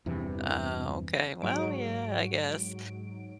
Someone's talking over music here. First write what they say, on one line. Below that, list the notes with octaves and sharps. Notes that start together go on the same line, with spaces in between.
Ah, okay. Well, yeah, I guess.
E2 G2 C3 E3
G#2 F#3 D7